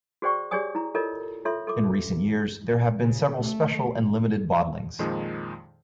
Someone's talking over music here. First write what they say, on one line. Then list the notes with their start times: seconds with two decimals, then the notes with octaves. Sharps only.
In recent years there have been several special and limited bottlings.
0.22 F#4 G#4 C5 D5 G5 C#6
0.51 G4 G#4 C#5 D5 G#5 D#6
0.75 E4 A#5
0.95 F4 A4 A#4 C#5 D#5
1.45 F4 A4 C#5 E5 C6
1.67 A4 C6 D6
3.01 C#3
3.38 A3
4.99 F2 A#2 D#3 F3 G#3 D#4